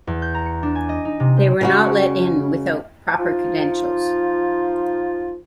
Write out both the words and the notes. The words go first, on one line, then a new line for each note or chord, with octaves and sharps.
They were not let in without proper credentials.
E2
G6
A#5
C#7
D4
G#5
D#5
D#4
C3
C5
C#3 G#3 F#4
F3 D#4 F4